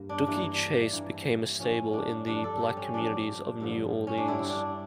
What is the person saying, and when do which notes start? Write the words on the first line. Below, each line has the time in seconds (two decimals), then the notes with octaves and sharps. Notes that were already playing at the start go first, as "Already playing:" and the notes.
Dooky Chase became a stable in the black communities of New Orleans.
Already playing: G2 A#3
0.09 D4
0.26 G2 E3 A#3 D4
0.93 G2 E3 A#3
1.60 G2 D3 F3 C#4
1.93 D4
2.26 G2 D3 F3 D4
2.44 A4
2.60 G4
2.77 C#4
2.93 G2 D3 F3 D4
3.60 G2 D3 F3
4.07 C#4
4.17 D4
4.27 G2 D3 G3 E4
4.50 D4